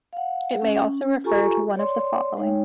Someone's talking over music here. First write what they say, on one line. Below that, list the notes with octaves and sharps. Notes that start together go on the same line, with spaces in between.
It may also refer to one of the following.
F5 F#5
C#4
F4 G4 A4 G#5 A#5 C#6
C#5 D5 C6
G#3 D#4 C#5 G5